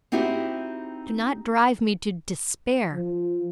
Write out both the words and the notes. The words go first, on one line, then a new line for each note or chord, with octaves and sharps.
Do not drive me to despair.
C4 D#4 E4 F#4 G4 C5
F3